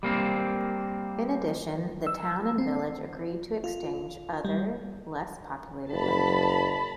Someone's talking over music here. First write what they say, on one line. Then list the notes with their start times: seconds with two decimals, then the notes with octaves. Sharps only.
In addition, the town and village agreed to exchange other less populated land.
0.03 G3 A#3 C4
2.07 E6
2.58 C4
3.64 F4
4.45 G3
5.92 F#1 A5 B5